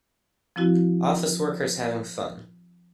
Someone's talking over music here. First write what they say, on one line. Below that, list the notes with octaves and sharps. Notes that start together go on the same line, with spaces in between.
Office workers having fun.
F3 C4 E4 F#4